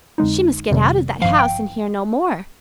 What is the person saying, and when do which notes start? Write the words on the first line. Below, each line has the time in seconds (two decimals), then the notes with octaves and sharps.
She must get out of that house and hear no more.
0.18 F2 D3 G#3 D#4
0.70 G1 F2 C3 D#3 G3
1.22 G#1 G2 F3 F5
1.39 G5